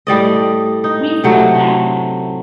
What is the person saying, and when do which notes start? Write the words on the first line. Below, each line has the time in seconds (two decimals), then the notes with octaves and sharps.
We've done that.
0.07 A2 G3 D5 D#5
0.84 D#4
1.24 C3 F#3 A3